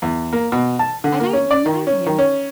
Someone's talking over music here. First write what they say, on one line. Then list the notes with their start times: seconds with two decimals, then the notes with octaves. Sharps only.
I didn't know him!
0.02 E2
0.33 A#3
0.52 B2
0.79 A5
1.04 D3
1.20 A#3
1.33 C#4
1.51 D5
1.66 D#3
1.87 C#4
2.06 D#3
2.18 C#4